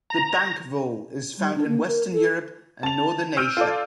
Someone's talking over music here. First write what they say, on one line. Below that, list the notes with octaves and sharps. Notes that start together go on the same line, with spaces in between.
The bank vole is found in western Europe and northern Asia.
A#5
G3
D4
A#3
A#4
A4
A5 F7
E6 F6 G6 D7 D#7
F4 A4 D5